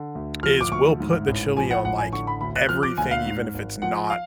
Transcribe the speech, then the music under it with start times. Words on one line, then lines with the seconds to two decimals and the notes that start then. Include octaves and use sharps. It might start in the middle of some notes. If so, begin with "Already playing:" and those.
is we'll put the chili on like everything, even if it's not
Already playing: D3
0.15 D2
0.43 F3 F6
0.61 D6
0.72 D2 C#6
1.00 G#2
1.28 A1
1.57 F3 G#5
1.70 F#5
1.84 A1 F#5
1.98 G#5
2.13 D3 C#6
2.27 B5
2.41 D2 B5
2.56 F#6
2.69 F3 F6
2.83 D6
2.97 D2 G#5
3.11 F5
3.26 G#2
3.54 G#1
3.82 F3 F#5
4.10 F5